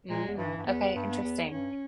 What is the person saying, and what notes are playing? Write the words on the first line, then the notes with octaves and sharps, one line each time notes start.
Mm. Okay, interesting.
A#2 G#3
E2
G2 E3
G2
E2 B3
G2
B3
E2
G2 C#4